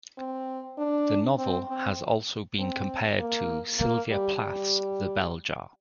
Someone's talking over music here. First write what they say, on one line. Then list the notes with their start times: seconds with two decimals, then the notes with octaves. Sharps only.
The novel has also been compared to Sylvia Plath's "The Bell Jar".
0.18 C4
0.78 D4
1.38 C4
1.68 C4
2.58 C4
3.19 A#3
3.79 A#3
4.10 G3
4.40 G3